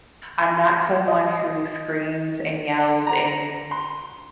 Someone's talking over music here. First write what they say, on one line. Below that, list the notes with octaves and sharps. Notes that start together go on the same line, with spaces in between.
I'm not someone who screams and yells and
D#5
A#5
C6